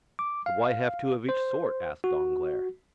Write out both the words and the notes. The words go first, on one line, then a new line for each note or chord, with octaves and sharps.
"But why have two of each sort?" asked Danglars.
D6
F5
C5
F#4